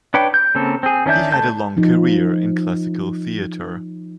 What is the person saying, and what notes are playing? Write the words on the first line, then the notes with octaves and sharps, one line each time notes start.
He had a long career in classical theatre.
D4 B4 C#5 G5
G6
C#3 A#3 C4 A4
C4 G#4
D#3 C#4 D4 E5 G6
D3 A3 A5 G6
F3 D#4